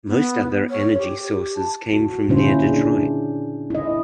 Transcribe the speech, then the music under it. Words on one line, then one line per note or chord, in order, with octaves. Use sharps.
Most other energy sources came from near Detroit.
B3
C#5
G4
A5
F#4
A#2 D3 C#4 E4 F4 C5
D4 G#4
E4 D#5